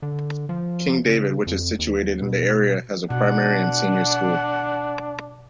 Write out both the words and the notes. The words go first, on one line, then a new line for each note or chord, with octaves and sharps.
King David which is situated in the area has a primary and senior school.
D3
F3
C#3
F2
D#2
B2
B2 D4 F#5